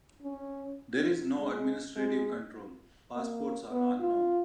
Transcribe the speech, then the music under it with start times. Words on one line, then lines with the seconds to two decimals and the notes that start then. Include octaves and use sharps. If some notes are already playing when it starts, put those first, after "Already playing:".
There is no administrative control; passports are unknown.
0.22 C#4
1.38 G#3
1.96 G#3
3.13 A#3
3.71 B3
4.00 F4